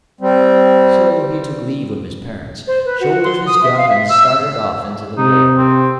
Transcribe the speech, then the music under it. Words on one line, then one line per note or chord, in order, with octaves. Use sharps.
So he took leave of his parents, shouldered his gun, and started off into the world.
G3 C4
C5
B4
F#4
C6
D#6
E5
F5
E5
E6
E6
C3 D#4
C4